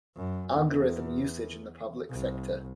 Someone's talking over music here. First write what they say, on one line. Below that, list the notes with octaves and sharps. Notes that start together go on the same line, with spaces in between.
Algorithm usage in the public sector.
F#2
E2
C2